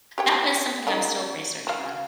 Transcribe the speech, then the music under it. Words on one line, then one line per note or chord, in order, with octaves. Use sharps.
that was something I'm still researching on.
G4 C#5 G5
C#3 A#3 D#4
F#3 F5